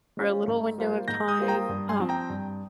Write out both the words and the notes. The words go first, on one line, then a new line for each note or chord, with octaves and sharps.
for a little window of time, um,
G#3 C#4 F4 C5
G#2
G3 A#3 F4 C5
G#2 G6 A#6
D#6 G6
G3 A#3 F4 C5
G5 A#5
G2
G#5 C6
F3 C4
G5 A#5
G2